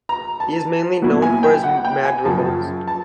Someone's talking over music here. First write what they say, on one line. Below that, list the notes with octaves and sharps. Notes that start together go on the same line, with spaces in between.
He is mainly known for his madrigals.
A#5
A5
A#2 F#3 B3 E4
G#5
G5
F#5
G5
G#5
F#2 C#3 F3 A5
A5